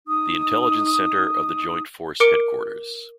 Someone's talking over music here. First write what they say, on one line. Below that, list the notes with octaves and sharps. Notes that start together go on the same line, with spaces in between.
The intelligence center of the joint force headquarters.
D#4 D#6
A#4 D6 C#7 D7